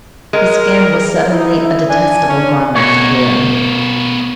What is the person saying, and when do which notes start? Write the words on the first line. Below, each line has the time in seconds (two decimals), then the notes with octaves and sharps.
His skin was suddenly a detestable garment to wear.
0.33 G#3 A#4
1.32 D#4 E4
1.90 D4 G#5
2.28 C#4
2.75 B2 B3 A#4 C#5